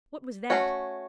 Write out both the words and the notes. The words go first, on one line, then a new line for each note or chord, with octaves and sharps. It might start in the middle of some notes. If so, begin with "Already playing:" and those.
"What was that?"
A3 C#4 F#4 C#5